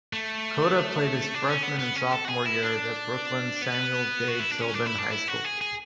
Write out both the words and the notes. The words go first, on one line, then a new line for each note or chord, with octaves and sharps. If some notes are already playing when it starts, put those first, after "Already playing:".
Cota played his freshman and sophomore years at Brooklyn's Samuel J. Tilden High School.
A3
D4
C#4
B3
B3
C#4
A4
F#4
G#4
E4
D4
B3
F#4
E4
D4
C#4
D4
E4
D4
E4
F#4
G#4
G#4